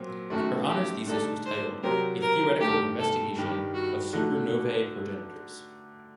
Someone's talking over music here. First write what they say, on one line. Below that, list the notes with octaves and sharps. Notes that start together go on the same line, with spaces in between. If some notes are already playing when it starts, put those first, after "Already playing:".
Her honors thesis was titled "A Theoretical Investigation of Supernovae Progenitors".
Already playing: A#2 F#3 C4
F#2 D#3 A3 F#4
G4
D3 A3 D#4 G4 A4 D5
C5
C3 F#3 C4 G4 A#4 C5
A#4
G2 D#3 A3 G4
A4
G2 D#3 G3 G4
F#4
D3 A3 D#4 F#4